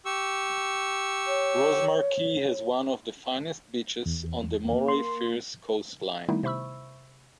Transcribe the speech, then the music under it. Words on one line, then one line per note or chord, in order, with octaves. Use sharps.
Rosemarkie has one of the finest beaches on the Moray Firth Coast Line.
G4 C#6 E6
C#5
E2
A#3
C6
D#3 G3 A3 B3 D#4 E4
C3 C5 E5 B5 C#6 E6